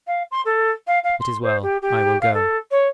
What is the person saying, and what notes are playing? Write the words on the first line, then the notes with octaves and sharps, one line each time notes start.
"It is well; I will go."
F5
C6
A4
F5
F5
C6
C5
G4
G4
F5
A4
C#5